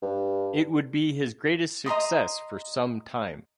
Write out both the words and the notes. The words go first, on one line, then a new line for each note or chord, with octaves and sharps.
It would be his greatest success for some time.
G2
D#5 A#5 C6 D#6